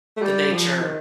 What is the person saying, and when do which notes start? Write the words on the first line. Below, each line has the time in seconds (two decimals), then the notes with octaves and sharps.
the nature
0.16 A3
0.22 G3
0.51 F3
0.81 D#3